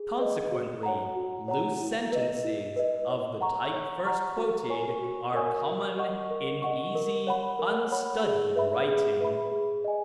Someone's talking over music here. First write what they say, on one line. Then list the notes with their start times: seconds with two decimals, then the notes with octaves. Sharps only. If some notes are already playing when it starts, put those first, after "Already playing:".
Consequently, loose sentences of the type first quoted are common in easy, unstudied writing.
Already playing: G#4
0.19 B4 D#5
0.51 F#4
0.83 C#5 F#5 A#5
1.16 F#4
1.48 C#5 F#5 A#5
1.80 E4
2.12 B4 D#5
2.44 E4
2.76 B4 D#5
3.09 C#5
3.41 F#5 A#5 C#6
3.73 C#5
4.05 F#5 A#5 C#6
4.37 F#4
4.69 A#4 C#5 G#5 C#6
5.02 F#4
5.34 A#4 C#5 G#5 C#6
5.66 A#4
5.98 D#5 F#5 C#6
6.30 A#4
6.62 D#5 F#5 C#6
6.95 A#4
7.27 C#5 F#5 B5
7.59 A#4
7.92 C#5 F#5 B5
8.23 G#4
8.55 B4 E5 B5
8.88 G#4
9.20 B4 E5 B5
9.52 G#4
9.84 D#5 G#5